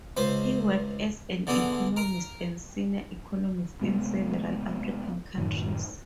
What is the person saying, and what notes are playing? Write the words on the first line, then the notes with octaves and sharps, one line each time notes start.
He worked as an economist and senior economist in several African countries.
C#2 B4 C5
D3 E3 B3 D4 G#4
A#4 A#5
C3 G#3 A3 B3
F#2 A2 D#3